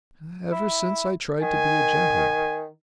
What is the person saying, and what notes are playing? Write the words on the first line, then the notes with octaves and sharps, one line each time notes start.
"Ever since I tried to be a gentleman."
E4
D#3 G#5